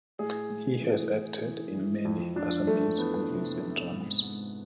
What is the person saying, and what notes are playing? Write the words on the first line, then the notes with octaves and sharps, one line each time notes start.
He has acted in many Assamese movies and dramas.
A2 G#4
A2
E3
E3
E3
E3
F2
F2 D4
F2 A3
E3 B3
C3
C3
G#2
G#2